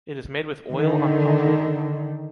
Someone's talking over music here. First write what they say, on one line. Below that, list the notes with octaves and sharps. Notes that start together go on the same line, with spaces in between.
It is made with oil on poplar wood.
D3 D#3